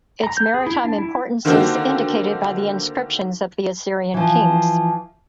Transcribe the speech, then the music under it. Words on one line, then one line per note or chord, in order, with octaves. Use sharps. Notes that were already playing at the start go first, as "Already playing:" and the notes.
Its maritime importance is indicated by the inscriptions of the Assyrian kings.
A#5
G6
G#4
E4
D4
E4
D3 D#3 A#3 C4 F#4 G4
E3 F3